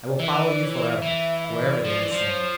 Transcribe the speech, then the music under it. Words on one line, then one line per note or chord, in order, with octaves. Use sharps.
I will follow you for ever, wherever they may send you.
D5
E3 E5
D5
D5
C#5
E5
E3 E5
F5
E5
D5
F3
E3
F3
C#5